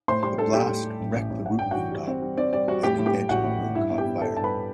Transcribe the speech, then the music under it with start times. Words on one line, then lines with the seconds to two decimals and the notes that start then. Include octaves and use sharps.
The blast wrecked the rooftop and an edge of the room caught fire.
0.08 A2 C5 C6
0.23 G3 C5 C6
0.38 D4 A4 A5
0.53 G3 G4 G5
0.69 A2
0.84 G3
1.00 A1
1.15 A1
1.30 A1
1.45 A1 F#5
1.59 G2 G5
1.71 E3 F#4 F#5
1.91 G3
2.07 C4
2.22 G3
2.37 C4 D5
2.53 G3 D5
2.68 G3 F#4 F#5
2.83 A2 G4 G5
2.99 A2
3.06 G4 G5
3.14 A2
3.29 A1 F#4 F#5
3.44 A2
3.60 A1
3.75 G2 E4 E5
3.90 B3
3.98 G4 G5
4.06 B3
4.21 B3 A4 A5
4.36 G2 A5
4.44 B4 B5